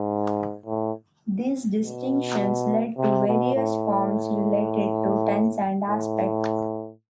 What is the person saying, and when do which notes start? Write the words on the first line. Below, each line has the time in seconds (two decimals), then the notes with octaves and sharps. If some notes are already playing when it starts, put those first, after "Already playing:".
These distinctions lead to various forms related to tense and aspect.
Already playing: G#2
0.66 A2
1.82 B2
2.98 C3
3.27 B2
3.55 A2
5.87 A2